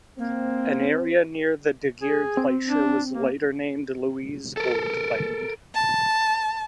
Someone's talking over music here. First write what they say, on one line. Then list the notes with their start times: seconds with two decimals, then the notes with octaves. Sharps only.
An area near the De Geer Glacier was later named Louise Boyd Land.
0.18 A#3 C4
2.02 G#4
2.37 C4
2.68 D4
3.13 A#3
4.57 A4 A#4
5.75 A5